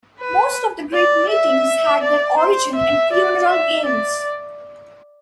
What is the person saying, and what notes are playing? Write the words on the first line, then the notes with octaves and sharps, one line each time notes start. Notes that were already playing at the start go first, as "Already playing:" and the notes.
Most of the great meetings had their origin in funeral games.
B4
D5
E5
D5
C5
E5
D5
E5
D5